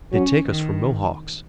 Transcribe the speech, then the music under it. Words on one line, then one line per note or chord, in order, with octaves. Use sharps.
They take us for Mohawks.
F#3 C#4
D#3